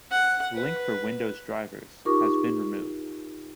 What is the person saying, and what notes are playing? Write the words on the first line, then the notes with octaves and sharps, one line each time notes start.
The link for Windows drivers has been removed.
F#5
B4
D#4 F4 G4 A#4 C#6 D6